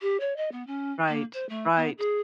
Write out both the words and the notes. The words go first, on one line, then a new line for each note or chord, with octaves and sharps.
Right, right.
G4
C#5
D#5
B3
C#4
A#3
C5
A3
B3
G#4